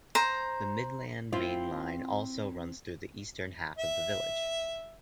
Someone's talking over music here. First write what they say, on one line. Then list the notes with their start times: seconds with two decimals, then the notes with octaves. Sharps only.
The Midland Main Line also runs through the eastern half of the village.
0.15 C5 A#5
1.33 C4 E4 F4
3.79 E5